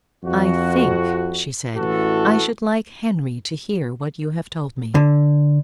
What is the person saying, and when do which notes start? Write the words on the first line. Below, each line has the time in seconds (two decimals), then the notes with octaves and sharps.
"I think," she said, "I should like Henry to hear what you have told me."
0.24 F2 F#4
1.76 A1 E3 F#4 A4
4.95 D3